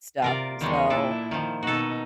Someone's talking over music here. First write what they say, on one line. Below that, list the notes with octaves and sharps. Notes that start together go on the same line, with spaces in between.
stuff so,
C3 F4 A#4 D5
E2 D#3 G3 G#3 C#5 D#5
A#2 D4 E4 A4
D#3 F3
B2 D#4 F#4 A4